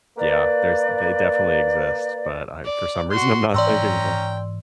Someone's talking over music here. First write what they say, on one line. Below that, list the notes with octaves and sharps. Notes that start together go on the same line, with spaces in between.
Yeah, there's they definitely exist, but I for some reason, I'm not thinking of one.
A#3 B4 D5
D5
F#4 C6
G#2 E3 C#4 D5 G5 A#5 C6 E6